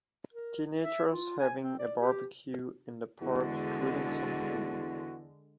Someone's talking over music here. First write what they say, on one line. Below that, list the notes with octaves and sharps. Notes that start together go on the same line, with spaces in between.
Teenagers having a barbecue in the park grilling some food.
A#4
E5
F4
G#5
C4
D5
G4
E2 D3 G#3 F#4